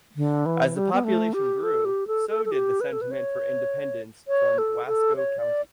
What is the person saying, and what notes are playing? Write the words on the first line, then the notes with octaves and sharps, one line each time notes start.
As the population grew, so did the sentiment for independence from Wasco County.
D3
E3
G3
B3
A3
G4
A4
G4
A4
A4
A4
G4
B4
A4
B4
C#5
C#5
A4
A4
C#5
D5